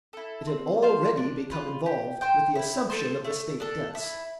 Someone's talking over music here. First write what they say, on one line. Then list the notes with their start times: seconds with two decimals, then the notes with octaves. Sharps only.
It had already become involved with the assumption of the state debts.
0.13 E4 A4
0.47 C4
0.82 F4 C5 F5
1.17 D4
1.51 F4 B4
1.86 G4
2.21 C5 G5
2.55 E4
2.90 A4 C5
3.24 A3
3.60 D4 A4
3.95 E4